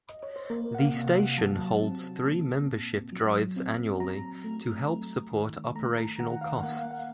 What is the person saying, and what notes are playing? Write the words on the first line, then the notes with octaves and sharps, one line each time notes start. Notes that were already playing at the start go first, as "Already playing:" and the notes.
The station holds three membership drives annually to help support operational costs.
D#5
C#5
C5
A#3 A#4
F#5
F5
C3
F#5
F#3 A5
C4
A#3
A#2
F#3
C4
F#3 A#5
A3
A3
D#3
A3 A#5
A#5
D#3 F#5
F5
A#3 F#5
F5
F#5